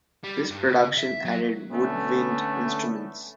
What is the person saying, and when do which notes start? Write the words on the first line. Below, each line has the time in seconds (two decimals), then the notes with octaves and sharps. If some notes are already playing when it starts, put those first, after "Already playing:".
This production added woodwind instruments.
0.24 G3
0.50 G2
0.67 C#3
0.98 E5
1.25 F#3
1.71 D3 A3 B3 C#4